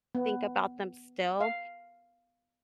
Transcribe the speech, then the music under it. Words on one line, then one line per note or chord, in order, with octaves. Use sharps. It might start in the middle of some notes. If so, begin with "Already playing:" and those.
think about them still,
B3
F5